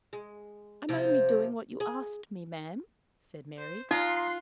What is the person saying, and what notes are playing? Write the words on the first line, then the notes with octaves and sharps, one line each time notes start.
"I am only doing what you asked me, ma'am," said Mary.
G#3
C3 F3
G#4
C5
D#4 F4 F5 A#5 C6 D#6 F#6